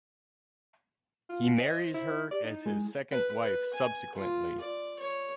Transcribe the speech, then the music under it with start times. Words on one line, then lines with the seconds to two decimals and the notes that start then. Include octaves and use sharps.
He marries her as his second wife subsequently.
1.30 F4
1.60 C5 D#5
1.95 E4
2.31 G4 D5
2.44 D#4 E4
2.66 G#3
3.12 B4
3.42 B4
3.73 G#5
4.15 F4
4.60 D5
4.99 C#5